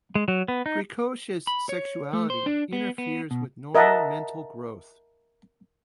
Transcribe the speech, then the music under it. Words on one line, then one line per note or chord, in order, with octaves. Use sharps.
Precocious sexuality interferes with normal mental growth.
G#3
F#3
B3
D#4
B5
C#5
A3
C5
D4
B3
B3
B2
A#4 D#5 E5 F#5 A5